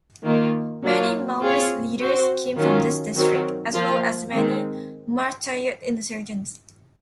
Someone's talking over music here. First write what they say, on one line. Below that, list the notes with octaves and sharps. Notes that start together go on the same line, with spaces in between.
Many Maoist leaders came from this district, as well as many martyred insurgents.
D#3 A#3 F4
F#3 A#3 F4
C4 F4 G#4 C#5
C4 F#4 C5
D#3 F#3 C#4 F4
D#3 F#3 C4 F#4
F3 A#3 F4
D#3 G#3 C4